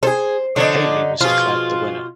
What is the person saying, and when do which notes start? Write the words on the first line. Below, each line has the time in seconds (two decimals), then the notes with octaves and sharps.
Haley was declared the winner.
0.03 G#4 A4 C5
0.56 D3 F3 D4 D#4 C#5
1.21 B2 F3 F4 G#4